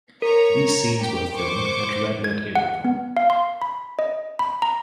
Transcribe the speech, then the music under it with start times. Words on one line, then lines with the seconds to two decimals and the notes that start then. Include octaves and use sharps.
These scenes were filmed at Radlett Aerodrome.
0.22 A#4 C#5 A#5
1.01 G4 G5
1.35 C5 C#6 D6
2.24 G#6
2.55 F#5
2.85 B3
3.17 F5
3.30 C6
3.62 B5
3.99 D#5
4.39 B5
4.62 A#5